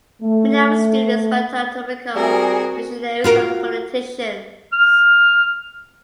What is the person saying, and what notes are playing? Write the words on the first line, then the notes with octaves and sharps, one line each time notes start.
Many of the students went on to become missionaries and politicians.
A3
G3 C4 F#4 G#4 A#4
F4 F#4 A#4
F6